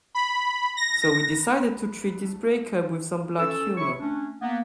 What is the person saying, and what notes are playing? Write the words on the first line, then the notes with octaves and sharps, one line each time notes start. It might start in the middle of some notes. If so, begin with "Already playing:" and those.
So we decided to treat this breakup with some black humor.
B5
A#6
C#4 A4 E6
E4 C#5 C#6
A3 C#4 D4
A#3 B3